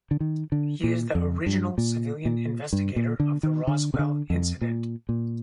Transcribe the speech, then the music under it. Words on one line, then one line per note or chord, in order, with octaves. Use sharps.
He is the original civilian investigator of the Roswell incident.
D3
D#3
D3
A#2
F2
G2
A#2
A#2
G2
A#2
D3
D#3
D3
C3
D3
F2
A#2
A#2